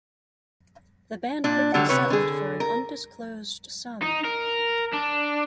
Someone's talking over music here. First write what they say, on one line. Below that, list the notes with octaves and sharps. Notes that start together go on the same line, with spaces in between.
The band quickly settled for an undisclosed sum.
A#2 D4
D3 F#3 G3 D4
C3 B4 C#5
D3 G#4
A#4
D#4
A#4
D4